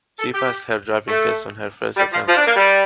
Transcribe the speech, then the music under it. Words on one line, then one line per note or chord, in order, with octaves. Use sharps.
She passed her driving test on her first attempt.
A4
G4
A3
G3
F3
F3
D4
A#3
G3